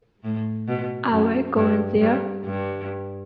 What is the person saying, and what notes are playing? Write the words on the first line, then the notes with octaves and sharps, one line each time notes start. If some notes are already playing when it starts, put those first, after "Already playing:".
Are we going there?
A2
B2
F#2
G2
G2
G2